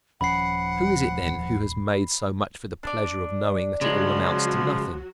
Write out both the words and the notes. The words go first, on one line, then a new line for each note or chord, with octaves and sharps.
Who is it then who has made so much for the pleasure of knowing that it all amounts to nothing!
D#1 F3 C#4 F#5 B5 C7
D4 D5
C#3 F3 F#3 G#3 F#4